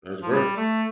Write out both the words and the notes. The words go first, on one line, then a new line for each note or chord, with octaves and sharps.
that's great.
F3
G3
A3